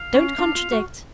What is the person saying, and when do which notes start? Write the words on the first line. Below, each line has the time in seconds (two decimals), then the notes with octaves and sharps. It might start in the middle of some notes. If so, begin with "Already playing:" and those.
Don't contradict.
Already playing: F5
0.14 C#4
0.38 D4
0.55 F4
0.72 F#4